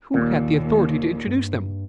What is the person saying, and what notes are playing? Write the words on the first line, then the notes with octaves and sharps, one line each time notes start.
Who had the authority to introduce them?
D#2 A#2 D#3 A#3
G2